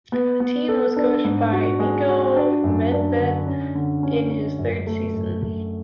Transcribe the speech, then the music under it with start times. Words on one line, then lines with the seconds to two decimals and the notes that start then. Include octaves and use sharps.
The team was coached by Niko Medved in his third season.
0.12 B3
0.40 B3
0.69 A4
0.96 D4
1.24 G#2
1.53 F#4
1.79 G#3
2.08 F#4
2.36 D4
2.64 F#2
2.92 D4
3.19 D3
3.47 C#4
3.75 D3
4.03 C#4
4.31 C#4
4.59 F#2
4.87 A3
5.14 F#2
5.42 A3